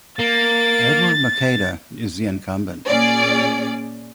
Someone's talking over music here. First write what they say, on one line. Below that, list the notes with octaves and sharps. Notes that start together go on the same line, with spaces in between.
Edward Maceda is the incumbent.
A#3 A6
A#2 C#4 G#4 D5